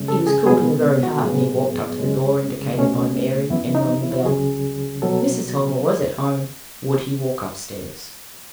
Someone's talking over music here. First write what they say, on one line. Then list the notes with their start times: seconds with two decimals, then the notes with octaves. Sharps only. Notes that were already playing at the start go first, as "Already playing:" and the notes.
He was cool to the very heart when he walked up to the door indicated by Mary, and rung the bell: Mrs. Helmer was at home: would he walk up stairs?
Already playing: F#2 C#3 G#3 C#4
0.08 A4
0.27 G#4
0.46 B2 G#3 B3 G#4
1.03 F#4
1.22 A2 F#3 B3 G#4
1.99 F#2 C#3 G#3 C#4
2.74 C#2 B2 A3 C#4
3.50 F#2 E3 B3 E4
3.75 D#4
4.01 E4
4.11 E4
4.19 F#4
4.25 C#2 C#3 F#3 C#4 G#4
5.02 B2 F#3 A4